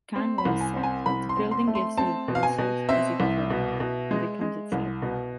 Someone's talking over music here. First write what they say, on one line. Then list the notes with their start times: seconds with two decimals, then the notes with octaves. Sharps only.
Kahn once said, the building gives you answers as it grows and becomes itself.
0.16 C4
0.38 B5
0.45 C2
0.61 G#5
0.76 C4
0.83 G#5
1.06 C2 B5
1.29 C6
1.37 C4
1.51 C6
1.67 A3
1.75 C6
1.97 C4 A5
2.28 B2
2.35 F5
2.43 G#5
2.58 B2
2.89 C4 E5
3.20 C2
3.50 B2
3.80 B2
4.11 G#3
4.41 G#3
4.72 C2
5.02 B2